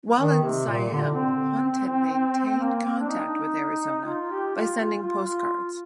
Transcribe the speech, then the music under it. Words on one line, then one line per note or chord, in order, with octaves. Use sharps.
While in Siam, Hunt had maintained contact with Arizona by sending postcards.
D#3
C3
A#2
D3
C4
A#3
C4
D4
D#4
F4
G4
F4
F4
F4
F4